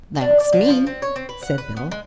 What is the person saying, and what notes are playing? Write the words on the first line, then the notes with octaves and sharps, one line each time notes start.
"That's me!" said Bill.
D4
D5
D3
F3
C4
C#5
C4
B4
F#5
B4
B3
G#3